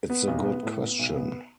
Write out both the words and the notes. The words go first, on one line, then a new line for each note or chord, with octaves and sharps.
It's a good question.
B3
B1
B3
A2
B3
B1
B3